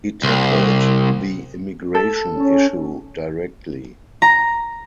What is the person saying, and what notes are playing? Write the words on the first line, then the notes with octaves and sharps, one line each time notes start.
He tackled the immigration issue directly.
C2
A4
C#4
A#5